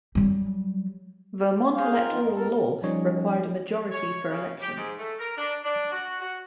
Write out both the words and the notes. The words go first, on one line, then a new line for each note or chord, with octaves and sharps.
Vermont electoral law required a majority for election.
F#3 G3
G#4 C5 F5
C4 F4 A#4
F3 B3 D#4
G#2 D#4
F#2 B3 A4 A#4
F3 G3 C#4 D#4 C#5 D#5
C#5
C#3
G4
G#2
A3
A#4
D4
D4
F#4
F#4